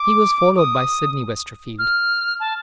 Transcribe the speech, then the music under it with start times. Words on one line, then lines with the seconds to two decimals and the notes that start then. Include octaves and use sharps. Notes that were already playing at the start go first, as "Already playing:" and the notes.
He was followed by Sydney Westerfield.
Already playing: D6
0.57 D#6
1.79 F6
2.40 A5